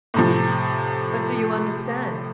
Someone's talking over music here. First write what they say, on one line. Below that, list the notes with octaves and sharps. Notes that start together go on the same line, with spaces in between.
"But do you understand?"
A2 C3 F3